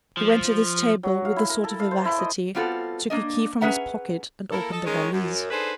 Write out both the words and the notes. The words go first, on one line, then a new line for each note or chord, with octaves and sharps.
He went to this table with a sort of vivacity, took a key from his pocket, and opened the valise.
F3
F#3
F5
E4
A#4
A4
F5
C5
E4
D#5
G3 B3 C4 F4 F#4 A4
A#3 D4 D#5
C#4 G#4 B4 E5 F#5 A#5
A#3 E4 A4 A#4
A4 D#5
D#3 G#3 C#4
F#2
D4 D#4 G#4 A4 B4 C5